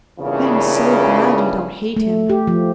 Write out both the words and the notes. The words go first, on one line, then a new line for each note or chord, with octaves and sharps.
"I am so glad you don't hate him."
E2 G2 A#2 C#3
A3
G4
F3